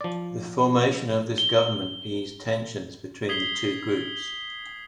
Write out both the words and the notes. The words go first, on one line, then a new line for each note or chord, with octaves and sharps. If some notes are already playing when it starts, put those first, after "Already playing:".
The formation of this government eased tensions between the two groups.
F3 D5
G7
D#6 G#6 B6 C7 G7